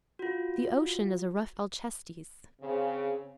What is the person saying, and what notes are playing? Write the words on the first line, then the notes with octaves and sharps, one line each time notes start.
The ocean is a rough Alcestis.
F4 F#4
C#3 C4